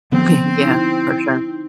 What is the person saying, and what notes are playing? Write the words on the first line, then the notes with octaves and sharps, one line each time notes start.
Okay, yeah, for sure.
D3 F3 B3 C4
D#4 E4